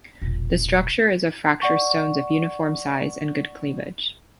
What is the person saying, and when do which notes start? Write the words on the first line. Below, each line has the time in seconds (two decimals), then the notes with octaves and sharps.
The structure is of fracture stones of uniform size and good cleavage.
0.22 E1 A#1
1.62 D5 F#5 C#6